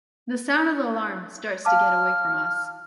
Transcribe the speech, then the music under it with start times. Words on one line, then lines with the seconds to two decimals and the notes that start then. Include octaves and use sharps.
The sound of the alarm starts to get away from us.
1.65 F5 A5 D6 F6